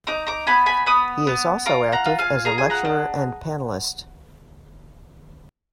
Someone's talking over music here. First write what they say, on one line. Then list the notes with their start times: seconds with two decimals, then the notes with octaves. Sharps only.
He is also active as a lecturer and panelist.
0.07 D#4 A#5 D6
0.27 A#5 D6
0.47 B3 G#5 B5
0.66 G#5 B5
0.86 B3 B5 D#6
1.27 B3
1.66 F4 A#5 D6
1.92 F#5 A#5
2.05 F4
2.19 F5 G#5
2.45 G#4 A#5
2.58 G#5
2.70 F#5 A#5
2.85 D4